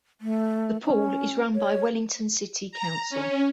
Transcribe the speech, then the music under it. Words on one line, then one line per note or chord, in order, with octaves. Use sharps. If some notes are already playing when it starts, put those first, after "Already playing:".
The pool is run by Wellington City Council.
A3
C#4
C#5
A#5
C#4